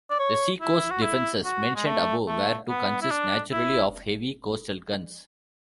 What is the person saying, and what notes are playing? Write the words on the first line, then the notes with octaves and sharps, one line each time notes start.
The seacoast defenses, mentioned above, were to consist, naturally, of heavy coastal guns.
D5
C#5
E4
F#4
E4
F#4
G#3
A3
A3
B3
E4
D4
E4